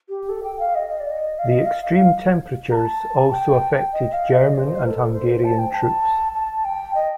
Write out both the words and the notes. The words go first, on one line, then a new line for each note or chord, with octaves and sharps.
The extreme temperatures also affected German and Hungarian troops.
G4
A4
G5
F5
D#5
D#5
D5
D#5
F5
D#5
F5
F5
A#5
A5
G5
D#5
F5
D#5
D5
C5
A#4
A4
C5
C5
A5
G5
A5
A5
G5
D#5